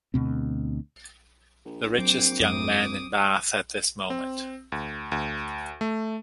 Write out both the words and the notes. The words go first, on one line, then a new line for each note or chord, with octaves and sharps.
The richest young man in Bath at this moment.
D2 B2 C4
A#1
F#3 C4 D6
F#2 F#3 D6 D#6
C4
D2
D2
A3